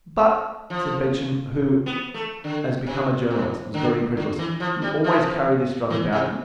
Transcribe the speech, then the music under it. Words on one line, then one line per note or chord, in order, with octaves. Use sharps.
"But," said Beauchamp, who, as became a journalist, was very incredulous, "you always carry this drug about you?"
F3
B3
A3
D3
C3
C3
D3
D3
E3
F3
G3
F3
E3
C3